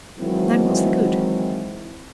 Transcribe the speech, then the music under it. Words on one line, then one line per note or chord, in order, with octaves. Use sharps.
"Then what's the good?"
D#3 E3 F#3 G#3 C4 E4